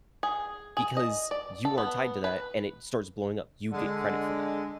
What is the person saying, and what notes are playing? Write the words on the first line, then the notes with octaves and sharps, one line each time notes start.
because you are tied to that and it starts blowing up, you get credit for that
G#4
G#4
D#5
D5
A4
B3
B4
D3 G#3